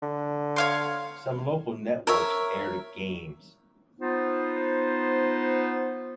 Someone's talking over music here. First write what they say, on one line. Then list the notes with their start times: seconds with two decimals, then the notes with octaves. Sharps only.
Some local networks aired games.
0.02 D3
0.56 C#5 F5 C6
2.07 A#4 C#5 E5
4.00 B3 D#4 F4 C5